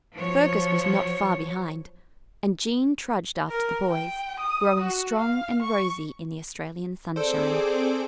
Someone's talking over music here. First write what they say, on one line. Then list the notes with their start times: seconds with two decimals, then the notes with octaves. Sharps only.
Fergus was not far behind, and Jean trudged after the boys, growing strong and rosy in the Australian sunshine.
0.15 F3 F#3 C#5
3.50 A#4
3.89 G5
4.39 D#6
4.81 F#4
5.18 F5
5.62 C#6
7.16 C4 G#4 A4 C5 D5 D6